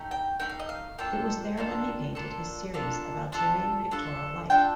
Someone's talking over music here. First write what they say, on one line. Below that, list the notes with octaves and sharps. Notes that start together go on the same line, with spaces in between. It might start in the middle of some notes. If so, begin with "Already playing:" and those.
It was there where he painted his series of Algerian pictorial life.
Already playing: A3 D#4 G4
G5
A3 D#4 G4 G5
F5
D#5
F5
A#3 D4 F4 A4 G5
A#3 D4 F4 A4
A#3 D4 F4 A4
A#3 D4 F4 A4
D4 F4 A4 A5
D4 F4 A4
D4 F4 A4 G5